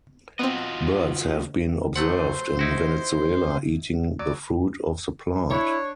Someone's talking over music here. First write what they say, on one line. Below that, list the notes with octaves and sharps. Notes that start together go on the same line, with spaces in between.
Birds have been observed in Venezuela eating the fruit of the plant.
B3 C4 F4 F#4 D#5
F#3 A3 C5 F#5
D#4 E4 F#4
F#3 D5
D4 E4 C#5